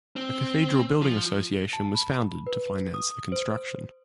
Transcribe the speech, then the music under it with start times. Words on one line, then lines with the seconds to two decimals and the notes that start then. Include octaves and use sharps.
A cathedral building association was founded to finance the construction.
0.16 C4
1.02 F3
1.73 A5
1.95 B5
2.47 B4
2.94 D#6
3.32 C5